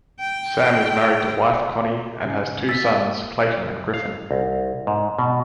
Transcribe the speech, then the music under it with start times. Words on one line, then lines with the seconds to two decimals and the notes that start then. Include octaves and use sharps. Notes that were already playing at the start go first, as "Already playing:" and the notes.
Sam is married to wife, Connie, and has two sons, Clayton and Griffin.
0.20 G5
2.25 C#3 G#5
2.69 E6 A6 B6
2.84 A#3 F5 E6 D#7
3.94 F5
4.31 C2
4.87 G#2
5.19 B2